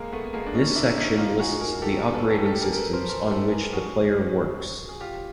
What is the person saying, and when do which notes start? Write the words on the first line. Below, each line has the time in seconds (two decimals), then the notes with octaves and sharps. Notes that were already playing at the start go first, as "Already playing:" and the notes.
This section lists the operating systems on which the player works.
Already playing: G#3 A#3
0.13 A3 B3
0.33 G#3 A#3
0.46 D4
0.55 C#4 D#4
0.76 D4 E4
0.97 C#4 D#4
1.18 D#4 F4
1.39 F#4 G#4
1.61 G#4 A#4
1.82 G4 A4
2.14 A4 B4
2.30 G4 A4
2.46 G4 A4
2.61 G#4 A#4
2.73 A#4
2.77 A4 B4
2.93 A#4 C5
3.09 A#4 C5
3.31 A4 B4
3.51 G#4 A#4
3.73 F#4 G#4
4.89 G#4
5.01 F4 G4